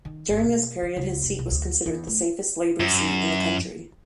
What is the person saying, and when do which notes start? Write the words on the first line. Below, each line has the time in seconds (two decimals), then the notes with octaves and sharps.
During this period his seat was considered the safest Labour seat in the country.
0.05 D#3
0.29 G#1
0.43 B2
0.82 D3
0.96 C#2
1.23 F1
1.39 B1
1.51 D2
1.86 E2
2.07 A3
2.80 F#2